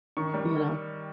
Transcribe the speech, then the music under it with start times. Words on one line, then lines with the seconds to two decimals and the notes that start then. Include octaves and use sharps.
You know?
0.17 D#3 C#6
0.34 G3